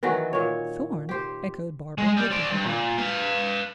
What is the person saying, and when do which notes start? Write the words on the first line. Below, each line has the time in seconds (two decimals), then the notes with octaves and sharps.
"Thorn!" echoed Barbara, lifting her head.
0.03 D#3 E3 F#3 F#4
0.33 A#2 C#5
1.09 G4 C5
1.98 G#3
2.17 G3
2.31 C4 D5
2.51 G2
2.66 A#2
2.98 B4 F5